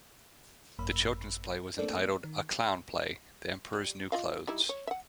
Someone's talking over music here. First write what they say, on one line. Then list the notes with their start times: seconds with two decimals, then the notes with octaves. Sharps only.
The children's play was entitled "A Clown Play: The Emperor's New Clothes".
0.79 G#1 F#2 A#3 B5 E6
1.78 A3 A#3 C4 D4 A4 D5
2.24 D#3
3.73 G3
4.12 F4 D#5 F5
4.47 G3 D#4 E4
4.69 C#5
4.87 E5 F#5